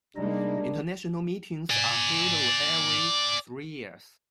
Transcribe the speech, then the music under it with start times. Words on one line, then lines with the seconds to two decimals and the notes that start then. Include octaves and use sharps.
International meetings are held every three years.
0.16 C3 G3 G#3 A#3 D4 D#4 D#5
1.70 D5 G#5